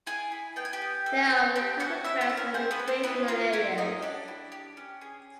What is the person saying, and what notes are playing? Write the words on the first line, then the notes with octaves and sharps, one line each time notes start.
There are of common grounds and recreational areas.
E4 G#4 G#5
E4
B3 G5
G#5
G4 G5
B3
A4
A4
C4 G4 G5
F#4 A4 F#5
C#4 E4 E5
C4 C5
C#4
A#4
C4 G#4 C5
B3 B4
C#4
C4 C5
B3 E4 B4
C#4 F4 F5
E4 G4 E5
C#4 D#4 D#5
D4 G4 D5
E4
G4
C#4
G#4